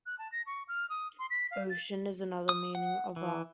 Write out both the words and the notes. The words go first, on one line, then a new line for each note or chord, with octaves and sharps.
Ocean is another meaning of Va.
F#6
A5
A#6
C#6
F6
D#6
C6
B6
F5
A6
D#6
F#5
E3